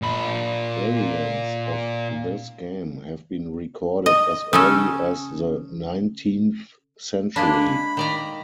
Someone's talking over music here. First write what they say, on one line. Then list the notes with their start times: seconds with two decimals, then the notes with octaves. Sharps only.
Variants of this game have been recorded as early as the nineteenth century.
0.02 A#2 B5
4.06 D#5
4.53 C#3 C#4 A4
7.36 G#3 A#3 D4 B5
7.97 D#3 D5 A#5